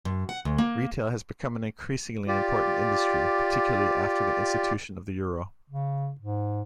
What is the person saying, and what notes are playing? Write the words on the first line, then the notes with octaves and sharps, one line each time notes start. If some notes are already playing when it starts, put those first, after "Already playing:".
Retail has become an increasingly important industry, particularly after the institution of the euro.
F#2
F#5
D2
A#3
F4 G4 D5
C#3
G#2